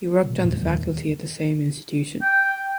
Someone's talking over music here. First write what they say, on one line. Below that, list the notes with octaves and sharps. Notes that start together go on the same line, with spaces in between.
He worked on the faculty at the same institution.
A#2
D#2
D#3
G5